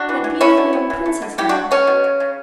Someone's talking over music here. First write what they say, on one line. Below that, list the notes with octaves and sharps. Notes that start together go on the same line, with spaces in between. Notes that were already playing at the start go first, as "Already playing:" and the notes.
That beautiful young princess, now!
Already playing: D4 F#4
E3
E3
A3 C#4 E4
B2
B3
E3
A3
D3
C#3 E4 G4
D4 F#4
C#3
A3 C#4
B2
C#3
C#3